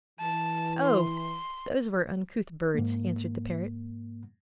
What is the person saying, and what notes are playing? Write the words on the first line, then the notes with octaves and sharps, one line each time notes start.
"Oh! those were uncouth birds," answered the Parrot.
E3 A5
C6
G#2 A#3